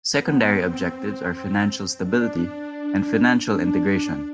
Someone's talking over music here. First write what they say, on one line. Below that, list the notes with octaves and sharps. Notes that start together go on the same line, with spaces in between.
Secondary objectives are financial stability and financial integration.
B3
C4
D4
D4